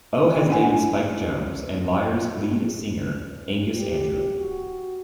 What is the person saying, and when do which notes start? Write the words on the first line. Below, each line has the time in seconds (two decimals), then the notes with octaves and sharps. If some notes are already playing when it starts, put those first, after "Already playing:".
O has dated Spike Jonze and Liars lead singer Angus Andrew.
0.49 D4 F#5 G#5
3.78 G4
4.37 F#4